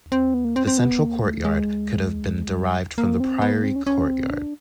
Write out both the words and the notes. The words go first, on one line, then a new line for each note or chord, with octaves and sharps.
The central courtyard could have been derived from the priory courtyard.
C4
B3
A#3
C4
C4
B3
A#3
A3
G#3
G3
A#3
C4
B3
A#3
C4
C#4
C#4
C4
D4